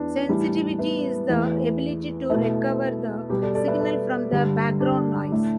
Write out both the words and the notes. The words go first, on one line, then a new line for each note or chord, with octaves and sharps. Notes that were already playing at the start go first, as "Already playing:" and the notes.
Sensitivity is the ability to recover the signal from the background noise.
Already playing: E2 E3 B3 D4
A2 E3 G3
B3 E4
E2 E3 A3
B2 A3 E4 A4
B2 G3 G4 B4
A4 D5
A4 D5
B4 E5
A4 D5
G2 D3 G3
D4 G4
A2 A3